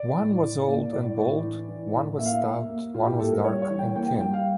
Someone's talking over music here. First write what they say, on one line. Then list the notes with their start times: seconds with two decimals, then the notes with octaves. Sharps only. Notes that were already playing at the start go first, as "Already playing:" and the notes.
One was old and bald, one was stout, one was dark and thin.
Already playing: D5
0.17 A2
0.42 A2
0.68 A#3
0.92 A2 D5
1.17 A2
1.43 E3
1.69 E3
1.94 A2
2.18 A#3 E5
2.26 F5
2.33 E5
2.43 A#3
2.69 A#3
2.94 A2 F4
3.07 G4
3.19 A#3 A4
3.32 A#4
3.44 G3 C#5
3.62 C#5
3.70 E3
3.79 G5
3.95 A#3 G5
4.08 G5
4.21 G3 G5
4.33 F5